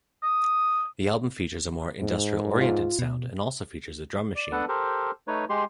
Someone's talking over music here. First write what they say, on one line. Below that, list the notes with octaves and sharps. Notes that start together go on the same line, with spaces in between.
The album features a more industrial-oriented sound and also features a drum machine.
D#6
G#2
F4
B2
D5
B3 D4 A4 B4 F#5 A5
G4 A4 A#4 C5
A3 D#4 B4 C#5
G#3 G4 C6